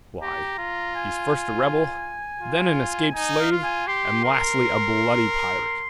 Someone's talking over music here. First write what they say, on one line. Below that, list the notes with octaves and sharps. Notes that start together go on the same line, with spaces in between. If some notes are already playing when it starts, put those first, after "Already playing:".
Why, he's first a rebel, then an escaped slave, and lastly a bloody pirate.
G4 A#5
F4
G#5
F4
D#4 G#5
F5
F4
G#5
G4 C6
A#4